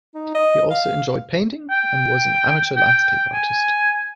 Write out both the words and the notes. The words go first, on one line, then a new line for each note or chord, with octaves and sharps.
He also enjoyed painting and was an amateur landscape artist.
D#4
D#5
F5
G5
G5
G#5